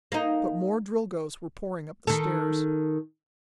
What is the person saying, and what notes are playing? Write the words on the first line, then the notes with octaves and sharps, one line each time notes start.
But more Drilgoes were pouring up the stairs.
A#3 D#4
D#3 A4